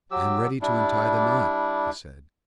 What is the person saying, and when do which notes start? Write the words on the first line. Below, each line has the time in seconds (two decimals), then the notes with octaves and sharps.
"I am ready to untie the knot," he said.
0.11 F#3 G4 E6
0.61 G3 D4 E4